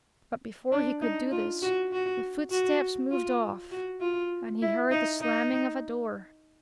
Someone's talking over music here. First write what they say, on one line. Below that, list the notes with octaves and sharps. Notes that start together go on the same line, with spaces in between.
But before he could do this the footsteps moved off and he heard the slamming of a door.
D4
D#4
F4
F#4
F#4
F#4
F4
F#4
F4
E4
D#4
D#4